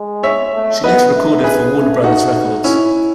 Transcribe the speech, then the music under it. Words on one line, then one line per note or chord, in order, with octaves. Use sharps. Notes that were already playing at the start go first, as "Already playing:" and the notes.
She later recorded for Warner Brothers Records.
Already playing: G#3
C#5 E5
A3
B3 B4 D#5
A3
G#4 B4
A3
D#4 F#4
C#4 E4